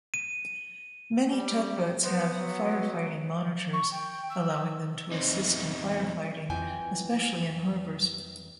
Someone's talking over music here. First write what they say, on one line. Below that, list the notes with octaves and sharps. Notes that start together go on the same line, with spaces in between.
Many tugboats have firefighting monitors, allowing them to assist in firefighting, especially in harbors.
D#7
G3
B3 C5
F#3
C#6
G5
E6
E2 C4 D#4
F2 E3 G5 G#5